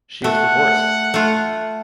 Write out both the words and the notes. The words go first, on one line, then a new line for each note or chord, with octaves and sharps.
She is divorced.
A3 F#5
A3 F4